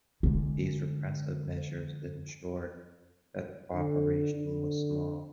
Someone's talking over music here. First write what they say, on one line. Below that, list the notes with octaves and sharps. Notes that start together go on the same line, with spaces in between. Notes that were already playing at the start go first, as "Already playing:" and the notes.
These repressive measures ensured that the cooperation was small.
D3 G#3
D3
D3